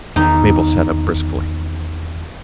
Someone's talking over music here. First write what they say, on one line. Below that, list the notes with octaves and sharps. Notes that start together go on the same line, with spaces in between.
Mabel sat up briskly.
E2 D#3 D#4